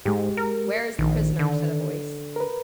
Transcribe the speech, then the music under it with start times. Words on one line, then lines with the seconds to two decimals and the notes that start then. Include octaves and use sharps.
"Where is the prisoner?" said a voice.
0.05 G#2 G#3 G4
0.37 A#4
0.99 A#1 D#3
1.39 D3
2.36 A#4 B4